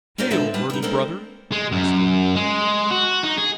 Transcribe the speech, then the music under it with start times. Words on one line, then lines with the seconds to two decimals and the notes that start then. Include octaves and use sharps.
"Hail, learned brother!" it exclaimed.
0.18 C#4 F4 A#4 C5 D5
0.30 D3 G#3 B3 D4 E5
0.54 G3 B4 F5 A5
0.70 D#4 E4
0.82 G#3 A#3 C4 D4 A4 A#4
1.52 G#3
1.72 F#2
2.36 G#3
2.90 F#4
3.23 D#4
3.38 G#4